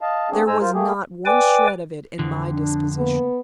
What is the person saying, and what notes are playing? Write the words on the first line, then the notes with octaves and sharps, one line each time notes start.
There was not one shred of it in my disposition.
D#5 F5 A5
A3 A#3 C4 D4 G#4
G#2 G#3 C5 G#5 A#5 E6
F4 A#4 C5
A3 A#3 G4 G#4
B4 D5 G5 G#5 D6
F2 D3 F3
D4
A#3 B3